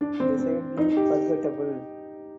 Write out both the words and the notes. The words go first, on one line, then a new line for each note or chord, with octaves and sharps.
Decidedly forgettable.
D4
C4
C4
D#4
G4